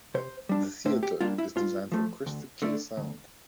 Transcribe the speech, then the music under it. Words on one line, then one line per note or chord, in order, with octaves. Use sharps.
The theater is designed for cyrstal clear sound.
C3 C5
G3 D4
A2 C5
G4
G3 A#3 D4 F4
E4
G2 F4
F3 A3
D2
D3 A3 D4
D2